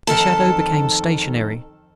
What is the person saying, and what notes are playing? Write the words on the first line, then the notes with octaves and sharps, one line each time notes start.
The shadow became stationary.
F2 D#3 A4 A5